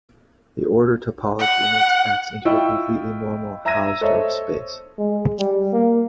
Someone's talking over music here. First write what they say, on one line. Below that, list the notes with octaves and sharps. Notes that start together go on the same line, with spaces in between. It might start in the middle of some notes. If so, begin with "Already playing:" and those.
The order topology makes "X" into a completely normal Hausdorff space.
F#5
E4 F4 D#5 G5 C#6 E6
E5 A#5 E6 G#6 A#6 D#7
A4 C5 C#5 D#5 E5
G#3
G3
A#3